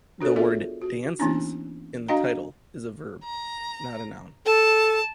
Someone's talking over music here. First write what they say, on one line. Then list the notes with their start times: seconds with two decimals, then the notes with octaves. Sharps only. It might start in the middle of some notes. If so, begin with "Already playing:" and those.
The word "Dances" in the title is a verb, not a noun.
0.21 D4 F#4 A4 A#4 C#5
0.36 B3 F4 G#4 A4 D5 E5
0.82 F#4
1.19 E3 A#3 B3 C#4 D4 E4
2.08 D4 F#4 D#5 F5 G5 A#5
3.24 A#5
4.46 A4 A5